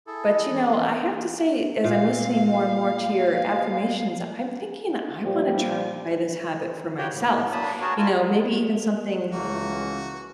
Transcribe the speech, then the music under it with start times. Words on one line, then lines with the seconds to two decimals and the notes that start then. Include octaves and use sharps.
but, you know, I have to say, as I'm listening more and more to your affirmations, I'm thinking I wanna try this habit for myself, you know, maybe even something
0.07 E4 G#4 A4
0.48 E3
1.85 A#2 F5
5.24 A#2 F3 G3
6.98 C#3 F#4 G4 C#5 G5
7.13 A2
7.52 F#3 A#3 D4 A5 B5 D#6
7.81 F#4 G#4 A#4 B4 C#5 A5
7.98 E4 F4 A#4 G#5 A5
9.31 C#2 C#3 E3 A3 A#3 F#4